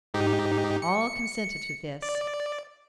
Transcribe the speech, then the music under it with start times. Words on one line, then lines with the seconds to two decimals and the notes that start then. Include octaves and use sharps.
All consented to this.
0.14 G#2 D#4 G4
0.82 C#7
2.03 D5